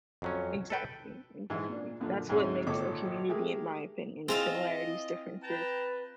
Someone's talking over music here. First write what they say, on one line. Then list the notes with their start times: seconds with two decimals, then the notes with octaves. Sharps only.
Exactly, exactly, that's what makes a community in my opinion, similarities, differences,
0.22 F2 F#3 C#4
0.70 A4 B4 G5
1.50 G#2 E3
1.69 A#2 D4
2.00 F#2 A#2 D3 F3
2.29 D2 G#2 C3 G#3 C#4
2.67 G#1 A#2 A4 C#5 D6
3.29 G#3 A3 G4 G#4 A#4
4.28 C4 E4 F4 G#4 C5 D#5 F5
5.42 B4 G5 A5 A#5